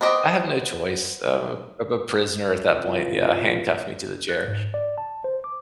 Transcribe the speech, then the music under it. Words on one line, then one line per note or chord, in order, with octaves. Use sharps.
I have no choice of of a prisoner at that point, yeah, handcuffed me to the chair.
B3 C4 G4 D#5
C3 E3 F4
F#6
G#2
D5
A5
C5
D6